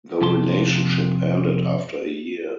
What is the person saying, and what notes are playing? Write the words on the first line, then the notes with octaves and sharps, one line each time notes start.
The relationship ended after a year.
F2 C3 A5 C6